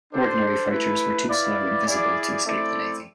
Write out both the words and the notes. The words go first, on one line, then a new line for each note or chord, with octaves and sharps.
Ordinary freighters were too slow and visible to escape the Navy.
D4 A4 C5
A3 E4 B4
E4 B4 D5 F5
E4 G#4 D5 F5
A3 C4 E4 A4 D5